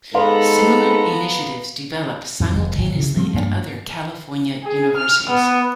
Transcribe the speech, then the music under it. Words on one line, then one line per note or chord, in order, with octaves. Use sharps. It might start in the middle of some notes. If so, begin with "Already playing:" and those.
Similar initiatives developed simultaneously at other California universities.
G#2 B3 A4 B4 F5 A#5 C6
F2 G#2 D#3
F1
G#1
C#3 E3
F3 G3 A3 C4
G2 A#3 B3 D4
G#4
F6
B3